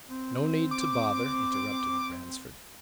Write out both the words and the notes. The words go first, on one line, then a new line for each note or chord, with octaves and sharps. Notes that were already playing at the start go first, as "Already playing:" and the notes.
"No need to bother," interrupted Ransford.
C4
D6